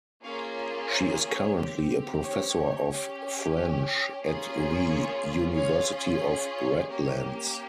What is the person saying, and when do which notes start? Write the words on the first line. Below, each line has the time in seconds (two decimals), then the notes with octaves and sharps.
She is currently a professor of French at the University of Redlands.
0.23 A#3 C#4 F4 G#4 C#5 F5
0.90 C5 E5
1.23 C#5
1.56 C4 G4
2.23 C#5
2.90 C#4 G4
4.22 A#3 C#4 F4 G#4
4.89 C#5
5.55 C#4 F4 G#4 C#5 F5
6.22 C#5
6.55 C#5
6.88 A#3 C#4 G4 C#5